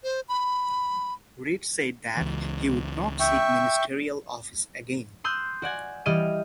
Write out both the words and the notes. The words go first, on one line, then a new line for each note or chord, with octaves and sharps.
Reed said that he would not seek Ministerial Office again.
C5
B5
C#2 E3
E5 G5 C#6
C6 D#6 E6 F#6 G6
F#4 D5 F#5 G#5
E3 G3 D5 D#5 F6 D#7